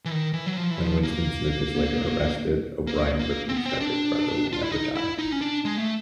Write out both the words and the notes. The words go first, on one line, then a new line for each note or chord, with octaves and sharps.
When Winston Smith is later arrested, O'Brien repeats that Big Brother will never die.
E3
D#3
E3
F#3
F3
E3
F3
A#3
A#3
A#3
C4
B3
C4
D4
F4
E4
D#4
E4
D#4
C#4
D4
G#3
A3